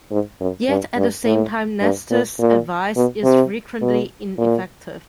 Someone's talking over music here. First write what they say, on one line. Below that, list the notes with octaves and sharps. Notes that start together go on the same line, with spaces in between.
Yet at the same time Nestor's advice is frequently ineffective.
G#2
F#2
G2
G2
A2
G2
A#2
A#2
B2
C3
B2
A#2